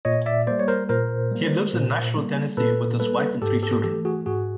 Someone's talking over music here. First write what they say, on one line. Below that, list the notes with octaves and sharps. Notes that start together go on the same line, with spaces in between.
He lives in Nashville, Tennessee with his wife and three children.
A#2 C#5 D#5
D5 E5
G3 A#3 C5 D5
C#5
A#4 C5
A#2 A#4 C5
G3 A#3
A#2
G3 A#3
A#2 A4 B4
G3 A#3 A4 B4
G#2 G4 A4
G4 A4
E3 A3 G4 A4
F#4 G#4
G#2 F#4 G#4